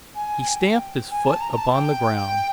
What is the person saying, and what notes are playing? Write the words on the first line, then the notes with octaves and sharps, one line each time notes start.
He stamped his foot upon the ground.
G#5
G#5
G5
G#5
A5
A#5
A#5
A5
G5